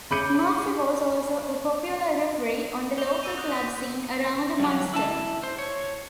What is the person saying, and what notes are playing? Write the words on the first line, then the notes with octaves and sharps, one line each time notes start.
Murphy was also a popular referee on the local club scene around Munster.
C#3 B5 D6 G6 C#7 D#7
D6 G6 F7 G7
E6 D#7 F7
D#6 F#6 G6 A#6 D#7
B6
G2 F#3
E4 A5
C5
C#5